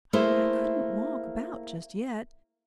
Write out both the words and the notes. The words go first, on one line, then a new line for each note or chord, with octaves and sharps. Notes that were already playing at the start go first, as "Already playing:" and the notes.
I--I couldn't walk about just yet.
A3 A#3 E4 G#4 C5